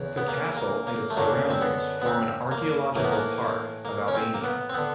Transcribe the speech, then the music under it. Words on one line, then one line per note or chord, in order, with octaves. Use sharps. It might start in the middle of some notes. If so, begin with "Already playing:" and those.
The castle and its surroundings form an Archaeological Park of Albania.
Already playing: E2 C#3 E3
B3
A#3
A#3
A#3
A3
F#2 D3 A#3
C4
B3
B3
C4
A#3
A2 E3 A#3
B3
A#3
A#3
C#4
C4
A#3
B3
C4
D3 B3